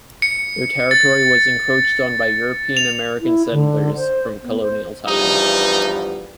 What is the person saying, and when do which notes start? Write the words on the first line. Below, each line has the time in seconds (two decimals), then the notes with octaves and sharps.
Their territory was encroached on by European-American settlers from colonial times.
0.22 C#7
0.91 A6
2.77 F7
3.21 E4
3.52 D3
3.95 C5
4.44 B3
4.61 C5
5.08 E2 G2 F3 D#4